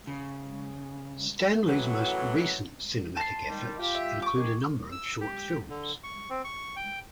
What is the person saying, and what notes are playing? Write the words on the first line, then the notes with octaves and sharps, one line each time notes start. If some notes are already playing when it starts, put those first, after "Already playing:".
Stanley's most recent cinematic efforts include a number of short films.
C#3
F#2 A2 E3 F#3 F#4 F#5
A5 C6
D#3 G3
F4 G4
E5
C#6 D6
D#3 G#4
E6
G4
D3
C#6
C4
C#6
G5